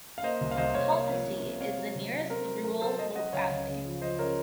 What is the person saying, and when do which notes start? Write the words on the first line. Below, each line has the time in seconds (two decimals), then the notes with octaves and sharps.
Kaltasy is the nearest rural locality.
0.18 F5
0.23 A#3 C5 D#5
0.41 C2
0.51 F5
0.57 C2 C5 D#5
0.74 C2 C#5 F5
0.92 A#3 C#5 F5
1.09 F3
1.26 C3
1.44 C3
1.61 C4 C#5 F5
1.78 F#3
1.95 C3
2.13 C3
2.30 C4 A#4
2.47 F#3
2.64 C4 A#4
2.81 F#3 A4 C5
2.99 F#3 C5 D#5
3.15 F#3 D#5 F#5
3.33 C#2 C#5 F5
3.50 C#2
3.68 C#3
3.85 F3
4.02 F3 C5 D#5
4.19 C#3 A#4 C#5